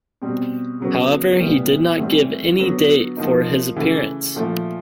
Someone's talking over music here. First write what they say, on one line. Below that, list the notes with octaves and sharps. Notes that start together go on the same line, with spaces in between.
However, he did not give any date for his appearance.
B2 G3 C4
C#3 F#3 B3
A#2 G3 B3 E4
A2 E3 G3 C4
D3 F#3 B3
F3 A#3 D#4
C#3 E3 A3
A#2 F3 A3